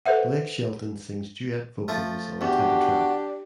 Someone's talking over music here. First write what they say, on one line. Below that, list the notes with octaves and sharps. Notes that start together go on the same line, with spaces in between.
Blake Shelton sings duet vocals on the title track.
A4 B4 C5 E5 F#5
F3 A3
E2 D4 F#4 G4